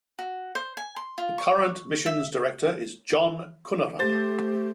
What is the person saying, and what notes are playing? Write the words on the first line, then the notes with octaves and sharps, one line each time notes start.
The current Missions Director is Jon Konnerup.
F#4
C5
G#5
C6
F4
C#6
E5
A3 G4 C5 A6